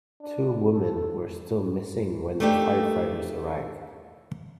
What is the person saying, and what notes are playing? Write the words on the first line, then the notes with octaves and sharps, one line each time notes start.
Two women were still missing when the firefighters arrived.
D4
A4
A3 A#3 D4 D#4 G4